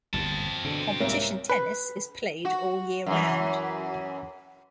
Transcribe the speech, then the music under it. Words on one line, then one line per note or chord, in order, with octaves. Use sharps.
Competition tennis is played all year round.
G1 D#2 A#2 C4 A5
B2 D3
C2 G#2 A#3 C#5
B4
F#4
F#2 E3